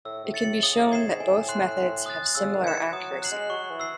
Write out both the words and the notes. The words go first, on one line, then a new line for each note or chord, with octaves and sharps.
It can be shown that both methods have similar accuracy.
A2 E6
A2
A6 C#7 F#7
A2
C#3 D#6
A2
A2 G#6 C7 E7
G#2
A2 G#5
C6 F#6 C7
C6
D#6 F#6 A6
C#3 E6
D#3
G#6 C#7 E7
E3
F#3 D#6
F#3
F#6 C7 F#7
G#3
F#3 C#6
E3
E6 C7